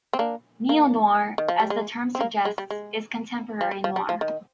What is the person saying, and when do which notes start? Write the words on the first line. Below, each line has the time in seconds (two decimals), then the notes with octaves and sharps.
Neo-noir, as the term suggests, is contemporary noir.
0.13 C4
0.19 A#3 D4
0.69 A#3
1.38 D#3
1.48 F3
1.60 G3
1.70 G#3
2.15 C4
2.21 A#3
2.45 G#3
2.58 G3
2.70 G#3
3.61 F3
3.71 G3
3.84 F3
3.96 G3
4.09 F3
4.21 D#3